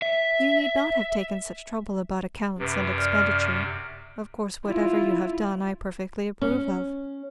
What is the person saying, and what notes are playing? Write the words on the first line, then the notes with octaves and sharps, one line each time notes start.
You need not have taken such trouble about accounts and expenditure; of course, whatever you have done I perfectly approve of.
E5
F#2 C3 B4
D5 F6
E4 F4
C#4